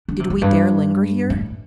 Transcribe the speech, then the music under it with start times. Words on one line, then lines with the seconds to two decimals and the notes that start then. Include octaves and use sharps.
Did we dare linger here?
0.08 D3
0.20 C3
0.30 F2
0.41 G2
1.30 A2